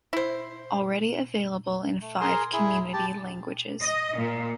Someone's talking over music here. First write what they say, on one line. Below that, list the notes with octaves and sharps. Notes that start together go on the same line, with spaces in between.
Already available in five community languages.
E4 C5
A3
G#4 A#4 G#5 C6
E4 G#4
G4 A5
D#5
A#2